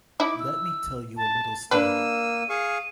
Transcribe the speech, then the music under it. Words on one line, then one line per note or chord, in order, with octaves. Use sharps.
Let me tell you a little story.
D#4 E4 D6
E6
A5
A#3 D4 B4 E6 D#7
G#4 F5 C#6